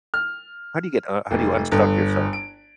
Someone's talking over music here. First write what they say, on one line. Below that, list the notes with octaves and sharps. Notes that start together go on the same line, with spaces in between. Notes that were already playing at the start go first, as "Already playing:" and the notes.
How do you get uh, how do you unstuck yourself?
F6
F1
G1
D7